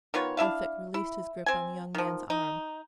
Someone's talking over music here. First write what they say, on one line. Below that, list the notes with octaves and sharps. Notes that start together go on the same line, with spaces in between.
Elphick released his grip on the young man's arm.
D#3 B3 F4 C#5
D4 E4 E5 F5
E4
C4 G#5
D#3 F3
D#4